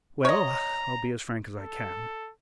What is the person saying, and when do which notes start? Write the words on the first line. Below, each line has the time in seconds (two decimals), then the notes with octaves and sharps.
Well, I'll be as frank as I can.
0.25 C#5 D#5 A#5
1.59 A4